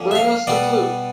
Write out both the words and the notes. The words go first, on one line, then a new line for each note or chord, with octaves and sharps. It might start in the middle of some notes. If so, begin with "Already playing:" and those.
Bring us the flute!
Already playing: F2 D3 F3 A#3 C#4
E5
F5
B2 G3 B3 D5